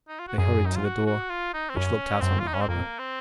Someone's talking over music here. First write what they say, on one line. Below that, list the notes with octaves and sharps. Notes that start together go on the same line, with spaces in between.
They hurried to the door, which looked out on the harbour.
D#4
F4
F#4
F#2 G#4
D#4
F4
F#4
F#4
F4
D#4
C4
F#2 C#4
F#2 C4
F4
D#4
C#4
C4
F2 A#3
C4